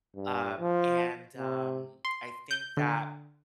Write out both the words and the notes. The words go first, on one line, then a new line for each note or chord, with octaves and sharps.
um, and, um, I think that
G2
F3
C3
C6
G6
D3